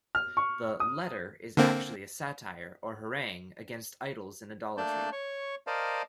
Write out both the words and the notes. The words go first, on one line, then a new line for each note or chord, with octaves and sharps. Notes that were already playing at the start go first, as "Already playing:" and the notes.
The "letter" is actually a satire, or harangue, against idols and idolatry.
F6
C#6
D#6
D3 A#3 C4
A3 A#3 D4 D5 A5 G6
C#5 C#6
A#4 C5 D5 D#5 F5 A5